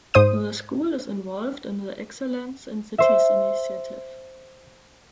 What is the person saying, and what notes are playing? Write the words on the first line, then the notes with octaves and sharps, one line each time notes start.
The school is involved in the "Excellence in Cities" initiative.
G#2 C5 D#6 D#7
C5 E5